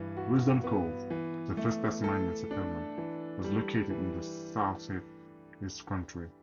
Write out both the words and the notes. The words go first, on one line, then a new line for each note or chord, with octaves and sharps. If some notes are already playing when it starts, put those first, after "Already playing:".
Risdon Cove, the first Tasmanian settlement, was located in south-east country.
Already playing: G2 E3
F#4
B3
E3
A3
A4
D4
E3
G3
E3